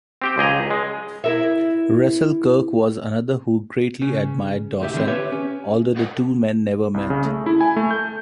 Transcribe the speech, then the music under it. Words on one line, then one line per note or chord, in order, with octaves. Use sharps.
Russell Kirk was another who greatly admired Dawson, although the two men never met.
C4 G4 G5
C#2 G#4 D#5 A#5
G#3
E4 A#4 E5
C#3
D2 A2 G4 E5
D3 E3 G#3 C4
G4 B4 C#5 E5
C#4
C2
C#3
A3
E4
G#5
A3
G6